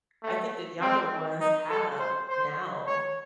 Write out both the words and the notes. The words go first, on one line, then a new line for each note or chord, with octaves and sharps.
I think the younger ones have now
A3
C4
D#4
A4
C5
C5
C#5